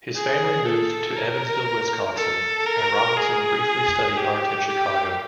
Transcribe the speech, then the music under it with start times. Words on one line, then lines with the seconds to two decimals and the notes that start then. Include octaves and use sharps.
His family moved to Evansville, Wisconsin, and Robinson briefly studied art in Chicago.
0.16 G#4
0.66 A4
1.16 A#4
2.17 A4
2.67 A#4
3.17 G#4
4.17 G4
4.67 G4